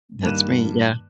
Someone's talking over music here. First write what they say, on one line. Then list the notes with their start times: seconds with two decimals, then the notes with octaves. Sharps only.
That's me, yeah.
0.23 G2 D#3 A#3 F#6 D#7 E7